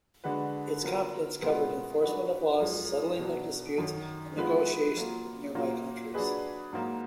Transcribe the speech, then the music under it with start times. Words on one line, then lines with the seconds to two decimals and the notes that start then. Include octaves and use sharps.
Its competence covered enforcement of laws, settling of disputes, and negotiations with nearby countries.
0.24 D3 G#3 D4 F#4 B4
0.83 F#3 B3 F4 A#4
1.42 B2 G#3 B3 F4
2.01 F#3 D4 F#4 B4
2.60 F#2 F3 G#3
3.19 B2 F#3 D4
3.78 F#2 D#3 F#3
4.37 F3 G#3 B3 F4 B4
4.96 F#3 A#3 F4
5.55 A#2 F#3 A#3
6.14 F#3 D4 G#4 B4
6.73 G#2 F#3 A#3